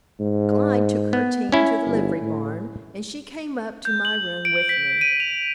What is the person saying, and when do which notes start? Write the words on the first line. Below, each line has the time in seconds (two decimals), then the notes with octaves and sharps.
Clyde took her team to the livery barn and she came up to my room with me.
0.20 G#2
1.13 B3
1.52 C#4 E4
1.86 G1
2.21 A2
3.85 G6
4.05 F#7
4.45 D7
4.69 B6
5.01 D#7
5.20 F7